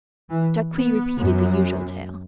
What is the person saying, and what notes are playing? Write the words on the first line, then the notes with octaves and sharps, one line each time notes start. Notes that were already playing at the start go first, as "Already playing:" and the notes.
Jacques repeated the usual tale.
E3
B3
F#2